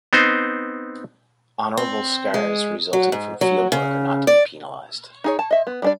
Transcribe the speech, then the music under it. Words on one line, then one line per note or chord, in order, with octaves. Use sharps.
Honorable scars resulting from field work are not to be penalized.
B3 C4 D#4 C5
C4
G#3
F#3
G#2
F#3
C#3
D5
D#4 G#4 C#5
A5
D#5 E5
B3
G3 D4 D5